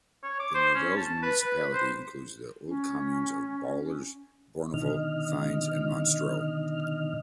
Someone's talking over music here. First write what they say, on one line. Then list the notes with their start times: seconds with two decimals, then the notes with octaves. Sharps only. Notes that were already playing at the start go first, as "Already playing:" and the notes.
The Nivelles municipality includes the old communes of Baulers, Bornival, Thines, and Monstreux.
0.23 C#5
0.39 D6
0.54 C5
0.74 C#4
0.97 A5
1.23 B4
1.42 B4
1.74 C5
2.66 C#4
4.74 B2 D3 D#3 D#5 F6